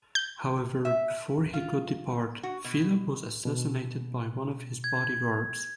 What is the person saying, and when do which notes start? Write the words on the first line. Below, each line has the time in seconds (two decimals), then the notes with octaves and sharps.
However, before he could depart, Philip was assassinated by one of his bodyguards.
0.15 G6
0.85 E5
1.53 F4
2.43 F#4
2.64 B2
3.45 B2
4.84 G#6